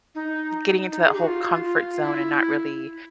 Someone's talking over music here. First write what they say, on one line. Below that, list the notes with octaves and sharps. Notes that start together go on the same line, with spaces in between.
getting into that whole comfort zone, and not really
D#4
D#4
G#4
G4
F#4
F4
F4
F4
F4
E4